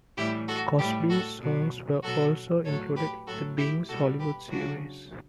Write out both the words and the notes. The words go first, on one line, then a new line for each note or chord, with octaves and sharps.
Crosby's songs were also included in the "Bing's Hollywood" series.
A2 E3 G3 E4 G4
F#4 A4
A2 G3 G4 B4
F#4 A4
B2 F#3
B2 F#3 F#4 A4
A2 F#3 A4 C#5
G4 B4
A2 F#3 F#4 A4
E4 G4
B2 G3 F#4 A4
G4 B4
C#3 F#3 D4 F#4